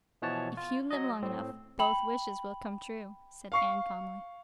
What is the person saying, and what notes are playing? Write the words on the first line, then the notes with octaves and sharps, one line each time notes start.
"If you live long enough both wishes will come true," said Anne calmly.
B2 E3 F3 C#5 F#5 A5
F4
F#3 D#5
A2 C4
G5 B5 F#7
F5 C#6 C7